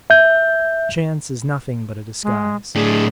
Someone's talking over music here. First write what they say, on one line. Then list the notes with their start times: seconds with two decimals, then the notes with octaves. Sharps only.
Chance is nothing but a disguise.
0.10 E5 G6
2.23 G#3
2.75 A2 D4 G#4